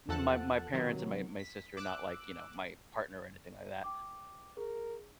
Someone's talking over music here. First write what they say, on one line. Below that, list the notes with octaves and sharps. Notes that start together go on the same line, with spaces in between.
my my parents and my my sister, not like, you know, my partner or anything like that,
E2 F3 A4 F#5 A5 F#6
C3 D#3 F#3
B6
D6 E6 F#6
G5 D6
G#4 A#4